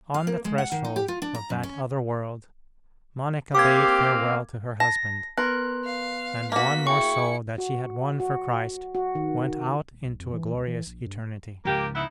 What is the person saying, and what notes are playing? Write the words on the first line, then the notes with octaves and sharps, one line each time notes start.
On the threshold of that other world Monica bade farewell to her husband, and one more soul that she had won for Christ went out into a glorious eternity.
F5
A#3
G#3
F#5
D#3
D#4
G4
F4
D4
A#5
F#2
C#4
A#3 C4 G4 F5 D6 G#6
A5 A#6
B3 A#4 B4 C6 F#6
F5
A#3 F#4 B6
E4 G#4 G5 C#6 C#7
F#4
F#4
F#4
D#3
D#1
B1
F2
E3
C#2
E3
A#1
G2
C#2 G#2 F3 A#3 G4
B3 D#4 E4